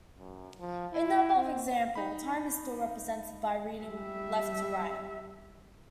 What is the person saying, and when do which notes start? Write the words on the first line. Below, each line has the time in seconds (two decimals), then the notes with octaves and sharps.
In the above example, time is still represented by reading left-to-right.
0.19 F#2
0.60 F3
0.93 E4
1.36 C4
1.95 D#4 B5
3.84 G3 E5